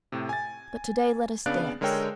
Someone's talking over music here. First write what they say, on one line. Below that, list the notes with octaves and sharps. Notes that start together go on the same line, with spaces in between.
But to-day let us dance.
A2 C3
G#5 A6
C#3 B3 D4 D5 F5 F#6
D3 G#3 A#4 C#5 G5 E6